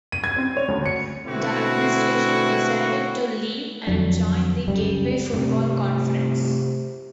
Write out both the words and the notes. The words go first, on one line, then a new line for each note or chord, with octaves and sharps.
The administration decided to leave and joined the Gateway Football Conference.
D#7
G#6
C4
C#5
D2
C#7
B2 D3 A3 C4 E4 F#4
F2 D3 F#3 D4
C#2 F#2 G3
G2 C3 A3 C4